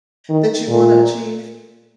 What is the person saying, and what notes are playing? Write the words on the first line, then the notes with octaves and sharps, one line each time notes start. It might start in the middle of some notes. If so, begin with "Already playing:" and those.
that you wanna achieve?
D#3
A#2